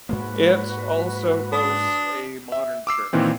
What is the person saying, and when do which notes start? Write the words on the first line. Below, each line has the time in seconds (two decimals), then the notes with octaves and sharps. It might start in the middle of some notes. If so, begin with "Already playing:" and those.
It also boasts a modern church.
0.09 G#2 G#3 A#3 F#4 B4
1.52 D4 D#6
2.52 E5
2.87 D6 E6 C7
3.13 A#2 D#3 E3 C4